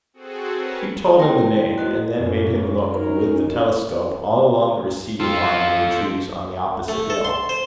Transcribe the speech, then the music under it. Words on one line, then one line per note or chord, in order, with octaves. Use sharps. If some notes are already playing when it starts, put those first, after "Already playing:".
Hugh told him the name; and then made him look with the telescope all along the receding line to the trees on the opposite hill.
C4 F#4 G#4 A4
A#4 B4 C#5 A5
A#3 E4 G5 C6 A#6
E4 F#4 D#5 F#6
F#2 A3 A#3 C#4
C#4 D#4 A#4
F4 A4
A3
A4
C6
C5